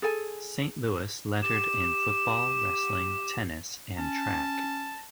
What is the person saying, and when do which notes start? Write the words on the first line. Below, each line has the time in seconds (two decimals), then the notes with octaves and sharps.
St.Louis lettered in football, wrestling, tennis, and track.
0.02 G#4 A4 G#5
1.42 G4 E7
3.98 C#4 A5